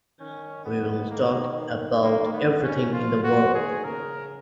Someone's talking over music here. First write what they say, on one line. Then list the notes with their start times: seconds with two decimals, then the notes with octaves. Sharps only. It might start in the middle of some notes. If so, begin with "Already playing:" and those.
We will talk about everything in the world.
0.20 D#3 C#4
0.65 B3
1.11 A#3
2.02 A#3
2.33 B3
2.63 C#4
2.93 F3 F4
3.24 F3 F#4
3.55 D#3 G#4
3.84 C#3 A#4